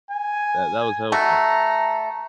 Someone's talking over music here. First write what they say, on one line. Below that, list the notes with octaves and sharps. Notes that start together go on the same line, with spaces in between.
That that was helpful.
G#5
A3 F#4 A#5